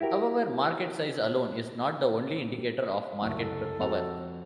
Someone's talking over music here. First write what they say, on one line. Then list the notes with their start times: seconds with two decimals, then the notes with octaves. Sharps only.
However, market size alone is not the only indicator of market power.
0.01 E4 F#4 G4 A#4
3.22 F#1 C2 F#2 A3
3.42 A4
3.80 F2 F#4 F7